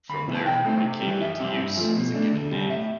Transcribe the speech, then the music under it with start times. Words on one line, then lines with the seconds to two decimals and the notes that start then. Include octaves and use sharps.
From there, it came into use as a given name.
0.09 D2 B5
0.28 C3 E3 B3 E4
0.35 A5
0.46 B2 G5
0.65 A3 C4 E4
0.84 C3
1.02 E3 G3
1.21 F2 E5
1.40 C3 G3 C4 E4
1.59 G2
1.77 F3 A3
1.96 B2
2.14 A3 D4
2.32 D2
2.51 C3 G3
2.70 A2 E5